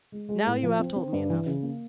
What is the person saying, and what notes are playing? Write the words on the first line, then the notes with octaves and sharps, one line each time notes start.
Now you have told me enough.
G#3
G#3
A2
F3
C4
C4
G2
E3
C#3
A#3